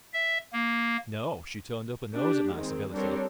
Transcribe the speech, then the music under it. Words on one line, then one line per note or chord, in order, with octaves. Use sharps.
No, she turned up her nose at my civility.
E5
A#3
D4 G4
D#3 G#3 C4
G3 C4 D4 A4 A#4 C#5